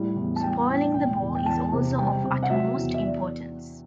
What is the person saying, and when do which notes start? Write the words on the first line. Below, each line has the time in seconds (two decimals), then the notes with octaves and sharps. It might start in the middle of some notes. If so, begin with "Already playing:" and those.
Spoiling the ball is also of utmost importance.
Already playing: A2 G3
0.16 E2
0.36 A5
0.43 G3 G5
0.69 A2 G5
0.94 E1 G5
1.20 E2
1.35 G5
1.46 E2 A5
1.73 C3
1.98 G3 G5
2.24 C3
2.43 F#5
2.50 F#3 E5
2.75 E2
2.94 E5
3.02 D5